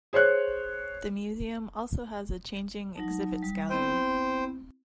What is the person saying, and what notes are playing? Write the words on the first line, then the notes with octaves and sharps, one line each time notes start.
The museum also has a changing exhibits gallery.
G#4 C5 C#5 F#6
F#3 D#4 A5
G3
B3 C4 E4 C5 G5